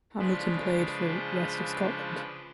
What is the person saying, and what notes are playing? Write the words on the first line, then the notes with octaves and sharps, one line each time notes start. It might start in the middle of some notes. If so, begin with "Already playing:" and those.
Hamilton played for West of Scotland.
C#3 F3 G#3 D4 B4 C5